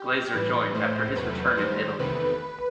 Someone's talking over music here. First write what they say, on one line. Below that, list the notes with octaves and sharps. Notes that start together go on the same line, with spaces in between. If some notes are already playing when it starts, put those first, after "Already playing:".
Glaser joined after his return in Italy.
Already playing: G4
A2 E3 G3 B4
A2 E3 A3 C5
E2 C3 F#3 A3 B4
D#2 D#3 G3 C5
E2 C3 D#3 A3 B4